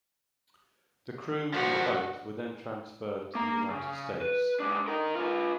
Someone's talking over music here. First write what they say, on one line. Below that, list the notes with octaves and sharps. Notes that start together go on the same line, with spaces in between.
The Crew and the boat were then transferred to the United States.
G2 F3 F#4
A#3 A#5
C#3
B4
G#2 D4
D#4 A#4
F4 B4